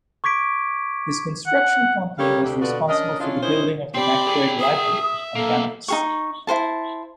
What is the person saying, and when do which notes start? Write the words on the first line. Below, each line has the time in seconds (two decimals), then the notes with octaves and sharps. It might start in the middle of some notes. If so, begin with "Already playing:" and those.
His construction company was responsible for the building of the McQuaid Library on campus.
0.24 C#6 D6 G#6 B6 D7
1.47 F#5
2.18 G3 G4 A4 A#4 C#5 F5
2.42 D2 C3 G4
2.61 B2 D3 B3 F4 F#4 D5
2.88 C#4 D4 A#4 D#5
3.20 C#4 D4 E4 F4
3.42 C#4 E4 A#4 C5 D#5
3.95 C4 G4 D5 B5
4.27 G#4 G5
4.60 E5 D#6
5.36 B1 A#3 A4
5.88 D#4 G#4 C#6
6.47 E4 F4 C5 A5